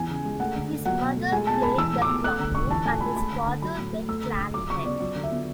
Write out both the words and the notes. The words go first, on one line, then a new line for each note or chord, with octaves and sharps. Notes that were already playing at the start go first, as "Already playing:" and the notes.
His mother played the piano, and his father, the clarinet.
Already playing: E3 B3 G#5
C#3
G#3
A3 F#5
D3
D3
F#3 F#5
B2
A3
G#3 G#5
B2 A5
B3 B5
E3 E6
A2
D6
B3
A3 F#6
D3
D3 C#6
E3 A5
A2 G#5
G#3 B5
A3 B5
D3
D3
F#3 B5
A2
A3
A3 E6
D3
D3
F#3 D6
C#3 C#6
B3 D5
F#3 D5
D3
E5
B3